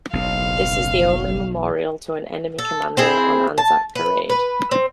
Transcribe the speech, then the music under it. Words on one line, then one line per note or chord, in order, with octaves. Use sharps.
This is the only memorial to an enemy commander on Anzac Parade.
F#1 B1 F5
A4
C4 E4 G#4
A5
B4
B4
C4